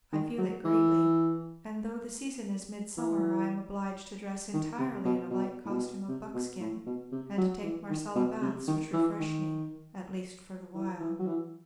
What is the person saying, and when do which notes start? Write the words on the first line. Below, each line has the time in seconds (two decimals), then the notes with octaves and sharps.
I feel it greatly; and though the season is midsummer, I am obliged to dress entirely in a light costume of buckskin, and take Marsalla baths, which refresh me, at least for the while.
0.12 D#3
0.38 F#3
0.65 E3
2.97 E3
4.53 D#3
4.79 C3
5.05 B2
5.31 B2
5.65 A2
5.70 B2
6.08 C3
6.34 B2
6.60 A2
6.86 B2
7.12 C3
7.38 F#3
7.63 E3
7.90 D#3
8.16 B2
8.42 C3
8.68 D#3
8.93 E3
9.19 D#3
10.75 E3
11.01 E3
11.19 F#3
11.26 E3